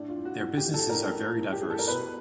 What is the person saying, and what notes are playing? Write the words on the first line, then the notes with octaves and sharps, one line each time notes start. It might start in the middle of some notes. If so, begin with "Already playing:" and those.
Their businesses are very diverse.
Already playing: A2 D4
F4
E3
F#4
A2 F#4
G4
E3
A4
A2 A#4
E3
A2
G4
E3 G#4
A4
A#4
B2 B4